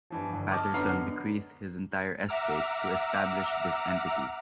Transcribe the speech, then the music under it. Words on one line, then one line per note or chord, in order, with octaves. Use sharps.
Patterson bequeathed his entire estate to establish this entity.
G2 E3 F3
G1
D#5 A5 C#6 D6 F6
F#2 D3 B3 A#5 F6 C7
E5 F#5 A#5 D6 E6 F6